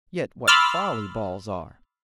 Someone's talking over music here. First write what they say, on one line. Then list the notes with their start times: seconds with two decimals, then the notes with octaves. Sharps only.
Yet what folly balls are!
0.48 B5 C6 D6 E6 F6 A6